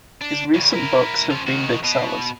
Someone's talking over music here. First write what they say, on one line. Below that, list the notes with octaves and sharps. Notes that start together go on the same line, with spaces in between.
His recent books have been big sellers.
D4
E2 C#3
E4 A#4
F3 C#4
D#3 F#4
B2